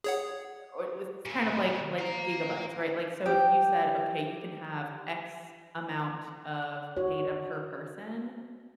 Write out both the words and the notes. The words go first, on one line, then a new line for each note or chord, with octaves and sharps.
Or it was kind of like like gigabytes, right? Like, so if you said, okay, you can have X amount of data per person,
G#4 C#5 F#5
A#2 C#3
F5 A#5
G4 G5
F#4 C#5